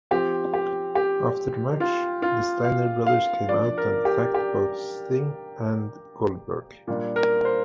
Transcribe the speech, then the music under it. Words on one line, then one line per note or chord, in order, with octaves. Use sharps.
After the match, the Steiner Brothers came out and attacked both Sting and Goldberg.
F3 C4 G4
G4
G4
F4
F4
F5
F5
F3 D5
D4
A#4
G4
G4
A#2 G3 D4
A#4
C5